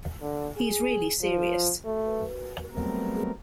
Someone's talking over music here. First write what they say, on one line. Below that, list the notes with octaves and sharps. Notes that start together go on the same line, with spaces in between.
He's really serious.
D3
G#4
F3
A3
F#3 G3 A3 B3 C4 A#4